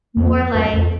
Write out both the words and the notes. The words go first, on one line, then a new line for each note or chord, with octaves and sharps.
more, like
F2
F#2
F2